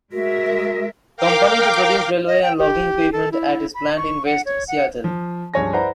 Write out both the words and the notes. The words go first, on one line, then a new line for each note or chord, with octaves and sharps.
Company to produce railway and logging equipment at its plant in West Seattle.
G#3 F#4 A#4 E5
A#4 F5 G5 D6
D#5
G5
G4
A4
E4
B5
C#6
F#5
C#5
F#5
F3
C#2 G2 F3 C#5 G#5 A#6
E4 B4 C5 D5 F#5 A#5